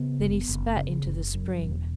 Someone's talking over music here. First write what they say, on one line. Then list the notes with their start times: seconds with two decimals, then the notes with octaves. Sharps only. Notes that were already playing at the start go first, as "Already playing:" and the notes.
Then he spat into the spring.
Already playing: C#3 B3
0.20 F#1
0.49 F#1
0.77 C#3
1.06 F#1
1.34 F#2
1.62 E1